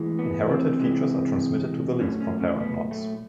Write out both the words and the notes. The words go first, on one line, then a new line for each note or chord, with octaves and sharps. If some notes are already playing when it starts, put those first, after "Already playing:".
Inherited features are transmitted to the leaves from parent knots.
Already playing: A2 E3 G#3
B3
C4
C3 E3 G#3
A#2 F#3 A3 C#4
C#4
C#4
B3
A3